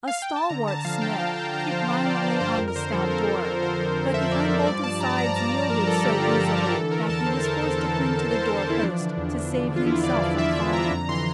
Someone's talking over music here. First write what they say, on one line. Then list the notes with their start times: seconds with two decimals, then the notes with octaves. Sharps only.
A stalwart smith kicked violently on the stout door; but the unbolted sides yielded so easily that he was forced to cling to the door-post to save himself from falling.
0.08 F5
0.22 G5
0.36 A5
0.49 D3 A#5
0.67 D3 A5
0.85 F3 F5
1.01 D3 G5
1.19 F3 F5
1.37 D3 G5
1.54 D3 A#5
1.71 F3 C5
1.88 F3 C5
2.06 F3 D5
2.23 F3 D5
2.36 D5
2.40 G2 C5
2.58 F2 A#4
2.68 A#4
2.76 D3 C5
2.92 F3 A4
3.10 F2 A#4
3.22 A#4
3.28 F3 A4
3.45 F2 A#4
3.62 D3 C5
3.79 F3
3.97 F2
4.14 F2 E5
4.32 F2 D5
4.49 F3
4.67 G2 D5
4.83 F3 A5
5.00 G2 A#5
5.18 F3 A#5
5.36 G2 A#5
5.54 F3
5.70 G2 A#4
5.87 F3 A4
6.05 D3 G4
6.22 F3 F4
6.40 F3 A4
6.57 D3 A#4
6.75 E3 A4
6.91 E3 A#4
7.09 E2 A5
7.26 E2 C5
7.44 E3 A#4
7.61 E2 A4
7.70 A#4
7.77 E3 A4
7.96 E3
8.13 E3
8.31 E2 C5
8.43 A#4
8.49 E2
8.57 A4
8.66 E3 E4
8.83 F3 D4
9.00 D3
9.18 E2
9.35 E2
9.53 E2
9.70 D3
9.76 F4
9.86 E2 E4
10.04 E2 D5
10.21 E2 D5
10.38 F3 E5
10.56 D3 E5
10.73 D3 A#5
10.91 F2 A#5
11.09 E3 C6